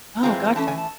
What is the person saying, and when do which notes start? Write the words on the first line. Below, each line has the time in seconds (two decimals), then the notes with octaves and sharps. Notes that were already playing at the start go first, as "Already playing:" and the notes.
Oh, gotcha.
0.23 A2 E3 G#3 C4 F4 A#5
0.55 E3 A3 C#4 A5
0.68 G#5
0.78 A5